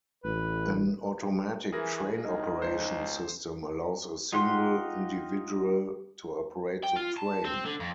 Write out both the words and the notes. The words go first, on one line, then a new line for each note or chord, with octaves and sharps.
An automatic train operation system allows a single individual to operate the train.
A1 B4
E3 G#4 A#4 A#6
C2 D#4
C#2 C5
D#4 F4 G4 F#5 C6
G5
F4
A5
C4
D3
F2